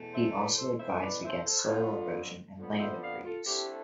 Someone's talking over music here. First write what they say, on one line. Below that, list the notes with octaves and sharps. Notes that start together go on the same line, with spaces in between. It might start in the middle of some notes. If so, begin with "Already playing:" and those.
He also advised against soil erosion and land overuse.
Already playing: E2 B2 A3
C5 E5
B4 D5
A4 C5
E2 B2 A3 C5 E5
E5
B4 D5
C5 E5
A4 C5
F2 D3 F3 B3 F4 A4
F2 D3 F3 B3
C5 E5
D5 F5
F4 A4
D3 A3 C4 E4 G4